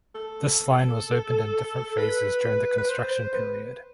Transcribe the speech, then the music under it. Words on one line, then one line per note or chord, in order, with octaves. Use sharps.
This line was opened in different phases during the construction period.
A4
B4
B4
C5
C5
B4